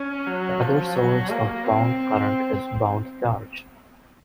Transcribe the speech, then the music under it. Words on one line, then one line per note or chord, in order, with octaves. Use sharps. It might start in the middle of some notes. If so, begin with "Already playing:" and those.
The other source of bound current is bound charge.
Already playing: C#4
F#3
F3
F#3
A#3
C4